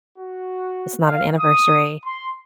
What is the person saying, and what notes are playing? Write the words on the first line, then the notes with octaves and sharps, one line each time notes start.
it's not an anniversary,"
F#4
F5
D#6
C6